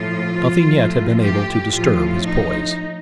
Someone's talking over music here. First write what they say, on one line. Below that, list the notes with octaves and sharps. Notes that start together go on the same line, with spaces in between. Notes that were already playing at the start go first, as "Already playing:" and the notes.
Nothing yet had been able to disturb his poise.
Already playing: A2 F3 F4
A2 F3
G4
A2 F3 F4
D#4